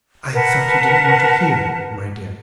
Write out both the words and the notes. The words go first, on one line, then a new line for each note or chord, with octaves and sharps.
'I thought you didn't want to hear, my dear.
A#4 B4 F#5 A5